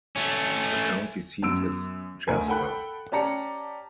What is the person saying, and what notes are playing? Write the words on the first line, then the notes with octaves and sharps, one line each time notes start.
The county seat is Jasper.
A3 C#4
F#2 B3 E6 D7
D2 A#4 G#5
A4 F#5 G5 B5 F#6
C#4 G4 D5 A5 A#5 C#7